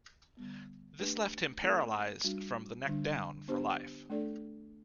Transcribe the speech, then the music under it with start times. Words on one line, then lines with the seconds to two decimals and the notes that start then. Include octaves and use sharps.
This left him paralyzed from the neck down for life.
0.37 D3 G3 B3
0.99 A3 D4 G4 B4
1.62 A3 C4 E4 A4 D5
2.24 G3 D4 F#4
2.86 D3 G3 D4
3.48 B3 D4 G4 C5
4.10 A3 D4 A4 D5